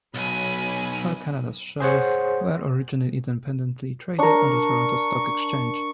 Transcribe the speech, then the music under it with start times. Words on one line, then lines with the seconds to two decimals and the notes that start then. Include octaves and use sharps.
Shell Canada's shares were originally independently traded on the Toronto Stock Exchange.
0.14 B1 F#3 G#5 B5
1.80 G#4 C5 C#5 F#5
4.19 D4 A#4 C#6